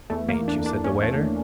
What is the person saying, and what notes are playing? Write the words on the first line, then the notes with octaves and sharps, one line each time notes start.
'Ain't you?' said the waiter.
E2 E3 A3
A#3
D4
D4
C#4
A3